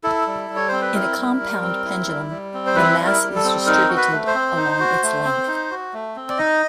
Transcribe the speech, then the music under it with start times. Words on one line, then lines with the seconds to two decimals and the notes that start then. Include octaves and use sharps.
In a compound pendulum, the mass is distributed along its length.
0.04 E4 A4
0.26 G3
0.50 G3
0.56 C#5
0.68 C4 C5
0.82 B4
0.94 E4 A#4
1.17 G3
1.40 G3
1.62 C4
1.85 E4
2.08 G3
2.31 G3
2.54 C4
2.67 C5
2.76 E4 B4
2.99 G3
3.06 A#4
3.21 G3
3.36 A4
3.44 C4
3.67 D#4 A#4
3.89 F#4
3.97 B4
4.12 A3
4.27 C5
4.35 C4
4.57 D#4
4.80 F#4
5.03 A3
5.25 C4
5.47 D#4
5.71 F#4
5.93 A3
6.16 C4
6.29 D5
6.38 D#4 D#5